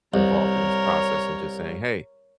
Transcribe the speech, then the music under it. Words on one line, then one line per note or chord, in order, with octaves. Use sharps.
involved in this process, and just saying, "Hey,
C2 A#4 C#5